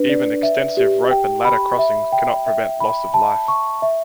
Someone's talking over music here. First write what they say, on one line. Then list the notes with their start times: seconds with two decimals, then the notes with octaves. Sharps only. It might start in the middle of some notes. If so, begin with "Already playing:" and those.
Even extensive rope and ladder crossings cannot prevent loss of life.
Already playing: D4 B4
0.09 D5
0.43 E5
0.77 G4
1.11 G5
1.45 B5
1.79 E5
2.12 G5
2.47 E5
2.80 B5
3.14 A5
3.48 C#6
3.82 E5